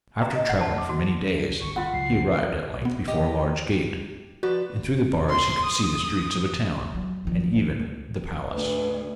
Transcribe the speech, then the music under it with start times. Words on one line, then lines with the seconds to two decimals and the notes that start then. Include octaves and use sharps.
After travelling for many days, he arrived at length before a large gate, and through the bars he could see the streets of a town, and even the palace.
0.22 A#5
0.36 D#5
0.49 F#5
0.61 A5
0.78 D6
0.89 F#4
1.61 G1 C#6
1.76 F4 F#5 B5
1.93 C#2 F#3 C7
2.82 B2 B3
3.08 G4 D#5 G5
4.43 F3 F#4 B4 D5
5.29 C6
5.64 D#6
6.94 F#3 G3
7.25 D#3 F3
7.52 C#3 F#3
8.52 D2 G#2 B4